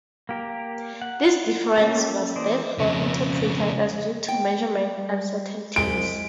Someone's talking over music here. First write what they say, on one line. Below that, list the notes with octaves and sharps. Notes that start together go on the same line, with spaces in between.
This difference was therefore interpreted as due to measurement uncertainties.
A#3 G4 A#4
F#5
A#3 C#4 G4 A4
E3 C5 D5 D#5
F2 C#3
G5
G3
C2 G#3 D7